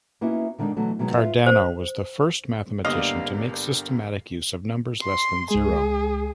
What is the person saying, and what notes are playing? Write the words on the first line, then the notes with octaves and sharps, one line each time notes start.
Cardano was the first mathematician to make systematic use of numbers less than zero.
A#3 B3 C#4 D#4 E4 F#4
D3 D#3 G#3 D4 D#4
B2 D3 E3 F#3 A3
B2 D#3 F#3 G#3 B3
F4 B4 E5 F5
C5
G2 D3 A#3 B3 G4 D#5 F5
C6
C#2 G#3 G#4